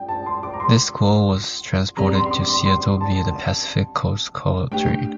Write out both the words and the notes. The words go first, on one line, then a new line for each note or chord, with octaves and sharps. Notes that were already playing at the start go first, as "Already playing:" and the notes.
This coal was transported to Seattle via the Pacific Coast Coal train.
Already playing: F4 G5
A5
C6
D6
A#5
C6
F3 C4 G4 D5 A#5
C6
C6
D6
C6
C6
A5
A3 D4 G4 G5